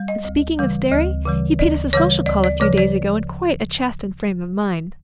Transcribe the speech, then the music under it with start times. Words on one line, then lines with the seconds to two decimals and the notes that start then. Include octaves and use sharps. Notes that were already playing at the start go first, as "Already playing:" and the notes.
And speaking of Sterry, he paid us a social call a few days ago, in quite a chastened frame of mind.
Already playing: G3
0.08 D#5
0.25 D2
0.59 C#3 E3 G3
0.92 D2
1.25 C#3 E3 G3
1.59 D2 D5
1.93 C#3 E3 G3 C#5
2.26 D2 D5
2.44 D5
2.60 C#3 F3 C#5
2.78 D5